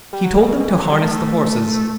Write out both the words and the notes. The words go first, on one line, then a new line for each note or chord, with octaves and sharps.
He told them to harness the horses.
G3
F#3
A2
B2
B2
E3
F#3
G3
A3